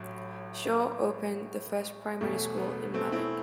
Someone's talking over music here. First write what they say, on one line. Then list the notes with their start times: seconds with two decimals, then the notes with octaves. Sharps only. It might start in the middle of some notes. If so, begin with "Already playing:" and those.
Shaw opened the first primary school in Malek.
Already playing: A1 A2 F#3
2.21 E1 E2 B2 A3
2.58 B3
2.94 A3 C4
3.12 C4 E4